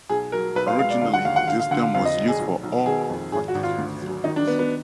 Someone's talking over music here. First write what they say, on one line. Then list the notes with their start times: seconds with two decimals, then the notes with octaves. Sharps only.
Originally, this term was used for all factitious disorders.
0.09 B1 G#4
0.32 F#3 A#4
0.55 B1 B4
0.67 F5
0.79 G#3 F5
0.90 D5
1.02 D3 F5
1.13 F#5
1.25 D#2 F5
1.36 F#5
1.48 D3 F5
1.60 F5
1.71 D3 F#5
1.83 F5
1.94 F2 F5
2.05 D#5
2.17 F1
2.28 G#4
2.40 B1
2.63 B1
2.86 D#3 G#4
3.09 F2
3.32 G#1 G#4
3.48 F#4
3.55 G#1
3.63 F4
3.78 D2
4.02 F#3
4.24 D#3 D#4
4.36 D4
4.47 D#3 B3
4.59 B3